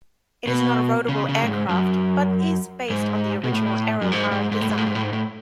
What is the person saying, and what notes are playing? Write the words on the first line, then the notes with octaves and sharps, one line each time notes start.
It is not a roadable aircraft but is based on the original Aerocar design.
B2
C#3
C#3
A2
G#2
F#2
G#2
B2
A2
F#2
G#2
G#2
G#2
A2
G#2
A2
G#2
A2
G#2
A2